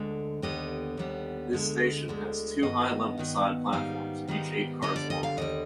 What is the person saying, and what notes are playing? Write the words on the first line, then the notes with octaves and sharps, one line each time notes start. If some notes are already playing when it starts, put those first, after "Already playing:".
This station has two high-level side platforms each eight cars long.
Already playing: D2 D3 G#3
D#2 D3 G3 B3 D#5
D#2 D3 G3 B3
D2 D3 G#3
D2 D3 G#3
G2 D#3 B3 D#5
G2 D#3 B3
G#2 D#3 G3 B3 D#4 F5
G#2 D#3 G3 B3 D#4
D#2 D3 G3 D#5
D5
D#5
F5
D#2 D3 G3 D#5